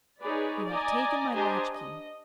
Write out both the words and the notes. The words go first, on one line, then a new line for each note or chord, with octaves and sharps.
'You have taken my latchkey.'
D#4 G#4 B4 C#5 D5
D5 D#5 G#5 A#5
D4 G4 C5 D#5 G#5 A#5
D#5